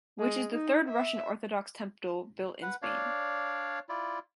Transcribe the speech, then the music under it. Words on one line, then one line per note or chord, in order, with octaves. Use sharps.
Which is the third Russian Orthodox temple built in Spain.
G#3
D#4
E5
B4 F#5
D4 C#5 D5 F5
E4 F4 D5